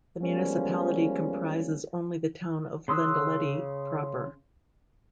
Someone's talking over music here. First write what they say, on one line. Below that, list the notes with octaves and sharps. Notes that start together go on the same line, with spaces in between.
The municipality comprises only the town of Lendelede proper.
F3 G3 G#3 A#3 B3 C#4
C#3 C6 D#6 E6 F#6